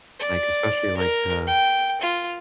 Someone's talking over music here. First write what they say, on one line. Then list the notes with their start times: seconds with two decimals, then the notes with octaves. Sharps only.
Like, especially like the
0.20 D5
0.98 A#4
1.47 G5
2.01 F4